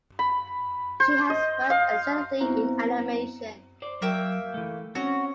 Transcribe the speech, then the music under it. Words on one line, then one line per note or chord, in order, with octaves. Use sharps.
She has worked extensively in animation.
B5
C5
D#5
F5
B3 C4 E4 C5 A#5
C5 D5
F#3 A#3 E5 G5
E3 A3
C4 C#4 F#4